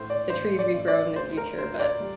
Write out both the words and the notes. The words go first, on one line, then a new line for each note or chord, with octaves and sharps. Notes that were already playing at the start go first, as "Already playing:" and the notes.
the trees regrow in the future, but
Already playing: A2 C5
D5
A1 C5
D5
A1
D5
D2 C5
A#4
D2 C5
D5
G3